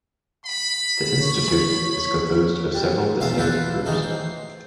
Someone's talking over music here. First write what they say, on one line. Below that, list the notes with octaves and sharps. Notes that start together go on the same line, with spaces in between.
The Institute is composed of several distinct groups.
B5
C#5
G3
B1 E2 E5 F5 A5
D4 E4 F4 A4 B4 C5
A1 D#3 E3 G#3 D#4 A4
C5